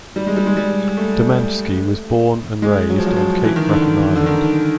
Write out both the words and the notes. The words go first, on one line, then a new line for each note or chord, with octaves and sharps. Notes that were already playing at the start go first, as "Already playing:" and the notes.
Domanski was born and raised on Cape Breton Island.
G3
G#3
G3
G#3
G3
A3
G#3
F#3
F3
F#3
F3
E3
D#3
D3
D#3
D3
D#3